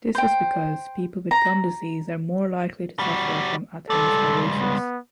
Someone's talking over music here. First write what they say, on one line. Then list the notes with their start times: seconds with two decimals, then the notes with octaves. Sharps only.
This was because people with gum disease are more likely to suffer from atherosclerosis.
0.15 C5 G5
1.31 A#5
2.99 G3 F#4
3.90 C#2 G3 A4
4.60 B3